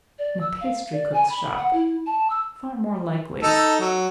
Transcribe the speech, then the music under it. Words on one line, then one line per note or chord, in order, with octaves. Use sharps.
In a pastry-cook's shop? Far more likely.
D5
E6
F5
D5
G#5
B5
F#5
E4
A5
E6
D#4 A4
F#3